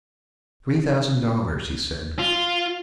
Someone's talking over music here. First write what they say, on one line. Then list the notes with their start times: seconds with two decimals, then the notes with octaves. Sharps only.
"Three thousand dollars," he said.
2.19 F4